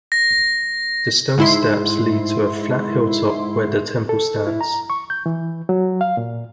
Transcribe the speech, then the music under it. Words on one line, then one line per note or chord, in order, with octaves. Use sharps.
The stone steps lead to a flat hilltop where the temple stands.
A#6
G#2 E4 C6
A4
E4
A#5
C#6
G6
E3
F#3
F5
A#2